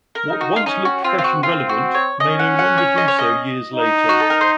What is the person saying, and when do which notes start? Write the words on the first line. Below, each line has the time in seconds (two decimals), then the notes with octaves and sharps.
What once looked fresh and relevant may no longer do so years later.
0.15 A#4
0.28 D#4
0.41 F#4
0.56 F4
0.66 C#4 D#4
0.85 F#4
1.04 C4 F4
1.18 F4
1.24 F#4
1.43 C4 F4
1.69 F#4
1.94 C#5
2.20 C#4 D#5
2.39 F#5
2.59 F#5
2.78 C#5
2.98 D#5
3.08 C#5
3.19 D#5
3.74 D#4
4.09 F#4
4.20 A4
4.30 A#4
4.41 C5